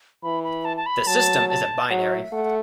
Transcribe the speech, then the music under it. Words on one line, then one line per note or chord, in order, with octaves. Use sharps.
The system is a binary.
E3 B5
B5
A5
A5
B5
F#3 A5
A5
F#3 F#5
E5
A3 F#5